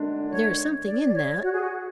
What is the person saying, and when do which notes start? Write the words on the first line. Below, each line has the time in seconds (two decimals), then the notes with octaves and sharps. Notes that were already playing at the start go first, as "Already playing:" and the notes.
There is something in that.
Already playing: F#2 D3 G#3 D4
0.29 C#5
0.85 D5
1.08 D5
1.14 C#5
1.42 F#4
1.53 G#4
1.61 F#4